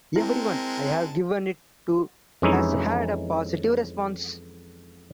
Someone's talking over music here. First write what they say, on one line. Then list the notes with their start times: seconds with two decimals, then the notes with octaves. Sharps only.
Everyone I've given it to has had a positive response.
0.16 G#3 C4 E4 A#4 A5
2.42 F2 E3 G#3 C#4 D#4 E4